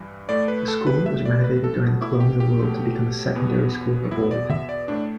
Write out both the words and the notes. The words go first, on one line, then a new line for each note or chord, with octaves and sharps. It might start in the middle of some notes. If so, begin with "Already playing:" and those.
The school was renovated during colonial rule to become a secondary school for boys.
Already playing: G2 E3 G3
A2 A3 D5
B4
A4
B4
A2 A3 E5
D5
B4
A4
B2
A3
E4
G4
G4
B2 A3
E2 B2 B3
E2 B2 B3 E4
D5
E5
D5
A2 A3 D4